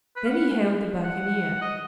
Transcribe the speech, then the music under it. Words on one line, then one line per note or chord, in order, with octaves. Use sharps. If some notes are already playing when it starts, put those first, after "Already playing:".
Then he hailed the buccaneer.
B4
F5
F#5
F#5
D#5